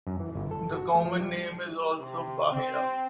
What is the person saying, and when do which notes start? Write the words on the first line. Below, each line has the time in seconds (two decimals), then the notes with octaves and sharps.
The common name is also bahia.
0.07 F#2
0.20 E3
0.35 G1
0.51 A4
0.74 F#4
0.94 A3
1.05 F3
1.21 G3
2.00 C3
2.52 C4